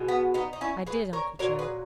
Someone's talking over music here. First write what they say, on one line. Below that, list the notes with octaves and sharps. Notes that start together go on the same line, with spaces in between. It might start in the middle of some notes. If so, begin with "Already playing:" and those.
"I did, Uncle Joe."
Already playing: B2 G#3
B3
B3 D#4
D#4
C#4 E4
G#4 B4
A#4 C#5
A#2 F#3 A#4 C#5
G#4 B4